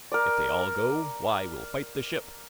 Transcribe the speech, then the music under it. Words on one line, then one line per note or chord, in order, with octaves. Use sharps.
If they all go, why we'll fight the ship.
A#4 D5